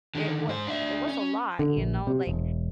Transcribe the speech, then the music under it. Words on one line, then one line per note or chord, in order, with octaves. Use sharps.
it wa it was a lot, you know, like,
D3 D#3
G#2 C5
D4 E5
C#4
D3
A#1
C3
E1